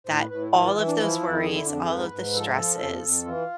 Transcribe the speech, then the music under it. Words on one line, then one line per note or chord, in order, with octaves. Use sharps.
That all of those worries, all of the stresses.
A2 C5
B4
A2 B4
E4
E3 E4
F4
E3 E4
D4
F3 E4
F2
D3 G#4
E4
F2 D4
G#4
G#2 B4
G#2
F3 A4
F3
F2
F2
E3 F4